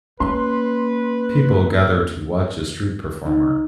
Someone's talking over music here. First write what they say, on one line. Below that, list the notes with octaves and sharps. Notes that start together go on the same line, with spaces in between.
People gather to watch a street performer.
A#3 C#4 B4 C6
D#4